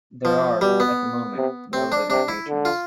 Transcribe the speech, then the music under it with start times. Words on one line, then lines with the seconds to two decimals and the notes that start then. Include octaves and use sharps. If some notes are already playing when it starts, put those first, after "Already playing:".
There are, at the moment, no living patrons.
0.25 F3
0.61 B2 G3
0.80 B3
1.36 C3
1.73 C3 C4
1.92 D4
2.10 C3 D4
2.28 E4
2.48 D3
2.65 F4